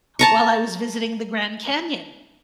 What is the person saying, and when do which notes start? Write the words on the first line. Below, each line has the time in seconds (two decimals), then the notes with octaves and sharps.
while I was visiting the Grand Canyon.
0.19 A5 A#5 C#6